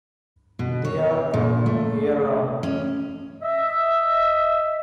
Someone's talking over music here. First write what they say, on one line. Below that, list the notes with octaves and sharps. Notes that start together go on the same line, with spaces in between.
They are grown year-round.
B2
C#5
A#2
A3
C#4
D#5 E5